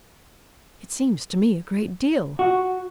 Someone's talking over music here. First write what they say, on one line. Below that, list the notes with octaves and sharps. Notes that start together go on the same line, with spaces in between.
"It seems to me a great deal."
F#4